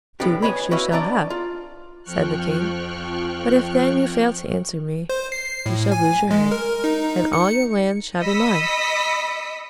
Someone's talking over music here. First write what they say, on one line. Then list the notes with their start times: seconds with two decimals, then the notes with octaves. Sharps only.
"Two weeks you shall have," said the king; "but if then you fail to answer me, you shall lose your head, and all your lands shall be mine."
0.20 B1 F2 A2 B3 D4 G4
0.42 B4 C#5 D#5 G#5 B5
0.71 E4 F#4 B4 C#5 D#5 F5
0.92 D4 D5 D#5 A#5
1.30 F4
2.03 F2 F3 G5 C#6 F6 F#6
5.09 C5
5.32 C7
5.66 A2
5.92 G#5
6.31 G#3
6.51 A#4
6.84 D#4
7.33 C#7
8.20 D#5 B5 D#6 E6 B6 C#7